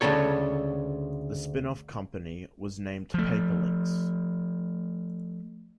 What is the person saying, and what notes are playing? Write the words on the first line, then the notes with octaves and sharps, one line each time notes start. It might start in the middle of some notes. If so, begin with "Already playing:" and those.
The spin-off company was named Paperlinx.
D2 A#2 C#3 A4 C#5
F3 A3